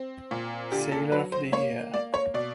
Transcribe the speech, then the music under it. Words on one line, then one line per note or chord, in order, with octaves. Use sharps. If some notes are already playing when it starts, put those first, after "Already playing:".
Sailor of the Year.
Already playing: C4
A#2
D3 G4
A4
F#3 B4
C5
A#3 C#5
A#3 D5
C#5
B2 D5